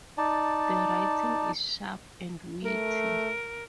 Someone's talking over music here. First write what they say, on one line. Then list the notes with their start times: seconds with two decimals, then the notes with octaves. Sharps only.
The writing is sharp and witty.
0.18 D#4 D5 A5
2.63 A3 A#4